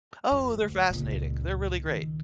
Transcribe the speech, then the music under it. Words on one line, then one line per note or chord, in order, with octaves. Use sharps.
Oh, they're fascinating, they're really great.
F2
D2
C#2 A#2
D#3